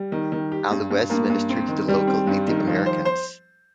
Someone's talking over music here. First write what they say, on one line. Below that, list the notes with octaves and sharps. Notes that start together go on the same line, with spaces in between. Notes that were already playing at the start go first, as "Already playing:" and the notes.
Allouez ministered to the local Native Americans.
Already playing: G3
D#3
D#3
G4
G2
G2
G2 A#3
G2
C4
D#3
D#3 G3
C4
G2
D#3
F3
C5
C5